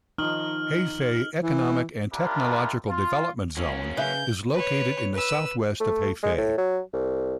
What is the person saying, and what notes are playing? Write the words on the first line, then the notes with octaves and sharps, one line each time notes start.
Hefei Economic and Technological Development Zone is located in the southwest of Hefei.
D#3 F3 D#4 F6 F#7
E3
D4 E4 F4 G4 A#4
F4
F#3 A#3 C#4
C#3 B4 E5 F5 G6
B4 C#5
B4 E6
A3
G#3
A2
F#3
C2